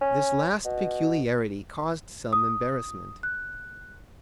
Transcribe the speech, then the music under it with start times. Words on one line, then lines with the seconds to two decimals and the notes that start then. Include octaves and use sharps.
This last peculiarity caused some embarrassment.
0.01 C#4
0.65 B2
2.33 D#6
3.23 F#6